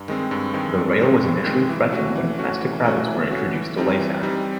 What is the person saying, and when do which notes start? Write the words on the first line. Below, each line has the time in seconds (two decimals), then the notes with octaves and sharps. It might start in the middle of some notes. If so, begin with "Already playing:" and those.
The rail was initially threatened when domestic rabbits were introduced to Laysan.
Already playing: G2
0.08 D#3 G#3 C4
0.31 G2
0.54 D#3 G#3 C4
0.77 G2
1.00 D#3 G#3 C4
1.23 G2
1.46 D#3 G#3 C4
1.69 E3
1.92 A3 C#4 F#4
2.16 E3
2.39 A3 C#4 F#4
2.61 E3
2.85 A3 C#4 F#4
3.07 E3
3.31 A3 C#4 F#4
3.54 E3
3.77 G3 C4 D#4
4.00 E3
4.23 G3 C4 D#4